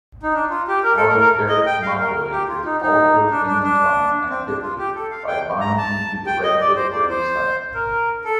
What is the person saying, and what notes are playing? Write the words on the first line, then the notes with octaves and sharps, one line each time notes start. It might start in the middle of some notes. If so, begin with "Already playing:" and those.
Allosteric modulators alter enzyme activity by binding to the regulatory site.
D#4
D4
F4
G4
A#4
A4
A#4
A#4
D#5
G5
F5
A#4
A#4
G4
F4
D#4
D#4
D4
D4
D4
C4
D4
F4
G4
A4
F5
G5
A#5
A5
G5
D#5
D5
C5
D5
C5
A#4
A4